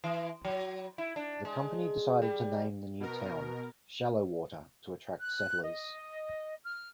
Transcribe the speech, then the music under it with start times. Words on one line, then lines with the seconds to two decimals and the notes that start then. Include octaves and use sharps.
The company decided to name the new town Shallowater to attract settlers.
0.04 E3
0.45 F#3
0.98 E4
1.16 D4
1.45 G#3
2.22 G3
3.00 B2 A#4
5.21 F#6
5.62 D#5
6.63 F6